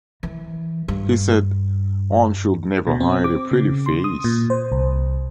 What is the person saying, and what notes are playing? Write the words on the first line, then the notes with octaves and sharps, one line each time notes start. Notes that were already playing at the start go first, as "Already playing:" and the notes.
He said: One should never hide a pretty face.
E3
G2
B2
C4
D6
C#3
C6
D#6
A#2
C5
C2